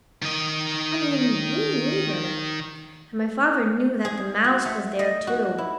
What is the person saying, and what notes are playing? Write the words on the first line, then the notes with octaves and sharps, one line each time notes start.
"I mean, me neither," and my father knew that the mouse was there, too.
D#3 D#5
G#4
F#4
A3
D#5
F#4
E4